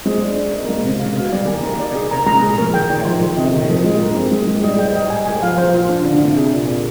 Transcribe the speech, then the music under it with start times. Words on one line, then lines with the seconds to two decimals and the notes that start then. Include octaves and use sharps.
This situation expected to be a challenge for their economies, political and social institutions.
0.06 G#3 C5
0.22 D4 C5
0.36 D4 G#4
0.52 A#3 D#5
0.63 A#3
0.68 G#3 F5
0.85 C5
1.00 F5
1.16 F5
1.32 G3 D5
1.47 A#3 G#5
1.63 A#3 D#4
1.80 D5
1.96 G#4
2.11 A#5
2.26 G#3 A#5
2.42 G#4
2.58 F3 A#4
2.73 D#3 G5
2.90 D#3 D5
3.05 F3 C6
3.21 D#3 G#4
3.37 C3 D#5
3.52 D#3 D#4
3.68 F3 D#5
3.84 G#3 F4
4.00 A#3 D4
4.16 C4 G#4
4.32 G#3 G#4
4.47 G#3 D#4
4.63 G3 D#5
4.79 G5
4.95 D#5
5.10 G#5
5.26 G#5
5.42 F3 F5
5.58 C5
5.74 F4
5.89 D4
6.05 D3 D4
6.21 C3 D4
6.37 C3 G#4
6.52 A#2 G#4
6.68 D5